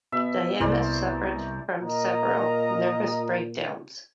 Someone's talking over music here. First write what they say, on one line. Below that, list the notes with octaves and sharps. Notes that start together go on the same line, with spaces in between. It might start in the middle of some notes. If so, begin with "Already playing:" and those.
Diana suffered from several nervous breakdowns.
B2 E5
C2 E4 A#4 C5 D5
A#2 A#4 D#5 A#5